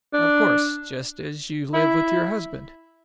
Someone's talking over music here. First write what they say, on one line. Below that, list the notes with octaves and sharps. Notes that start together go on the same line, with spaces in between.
"Of course--just as you live with your husband."
D4
E4